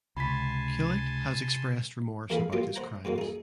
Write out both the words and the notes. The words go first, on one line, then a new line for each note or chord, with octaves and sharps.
Killick has expressed remorse about his crimes.
C#2 C3 G#5 A5 B5 C6 B6
F2 E3 A#3 G#4 F5 B5
F#3 A#3 B3 F4 G4
C5 F#5 A#5
G#2 C#3 F#3 A#3
D#4 G#4